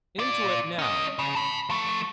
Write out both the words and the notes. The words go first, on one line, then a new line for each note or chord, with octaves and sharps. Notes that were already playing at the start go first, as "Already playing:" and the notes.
Into it, now!
F4 D5
C#4 D#5
C#3
A5 B5
F3 A3